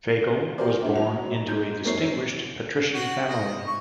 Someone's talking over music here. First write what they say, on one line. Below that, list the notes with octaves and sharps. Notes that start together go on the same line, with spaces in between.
Fagel was born into a distinguished patrician family.
C7
F4 G4 A#4 C5 D5
G#3 D4 E4
G#2 F#3 F7
G#2 G6
F#2 A#3 C4 D#4 C#5 C7
F#4
D#5
C#6